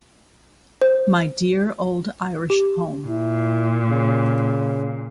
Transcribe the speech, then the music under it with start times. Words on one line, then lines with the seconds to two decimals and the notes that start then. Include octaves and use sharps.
My dear old Irish home.
0.82 C5
2.50 G4
3.08 A#2 E4
3.90 C#3